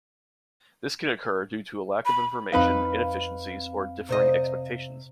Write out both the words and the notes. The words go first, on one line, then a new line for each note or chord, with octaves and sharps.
This can occur due to lack of information, inefficiencies, or differing expectations.
B5
F2 C4 D#4 B4 F5 B5
C3 C5 D#5